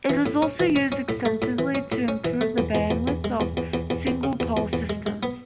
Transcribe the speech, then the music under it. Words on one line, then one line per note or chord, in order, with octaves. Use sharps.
It is also used extensively to improve the bandwidth of single pole systems.
E3
A2
C#4
E3
C#4
C#4
A2
A3
A2
E3
C#4
A2
C#4
E3
A3
E2
E2
E2
E2
G#3
E2
E2
E2
E2
E2
C#3
E2
E2
E2
G#3
G#3
B3